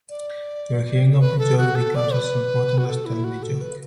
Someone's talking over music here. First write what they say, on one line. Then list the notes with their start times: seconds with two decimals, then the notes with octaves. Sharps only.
Your hearing of the joke becomes as important as telling the joke.
0.09 D5
1.12 A4
1.20 B4
1.39 A4
1.58 F#4
1.75 A4
1.95 D5
2.13 B4
2.78 F#4
2.88 A4
3.05 E4
3.24 F#4
3.43 A4
3.61 B4